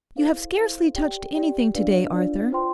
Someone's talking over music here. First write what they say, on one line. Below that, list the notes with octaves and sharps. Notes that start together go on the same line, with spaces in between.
You have scarcely touched anything to-day, Arthur.
E4 A4 C5 F5
E4 A4 C5 F5
G4 D5 G5
G4 D5 G5
D4 F4 B4 D5 F5
D4 F4 B4 D5 F5
F4 C5 G5 C6